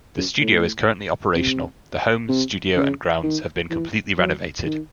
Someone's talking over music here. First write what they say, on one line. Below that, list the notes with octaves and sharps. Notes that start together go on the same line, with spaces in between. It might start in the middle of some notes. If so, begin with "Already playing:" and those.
The studio is currently operational, the home, studio and grounds have been completely renovated.
F#2
A2
C3
C3
C#3
D#3
E3
F#3
D#3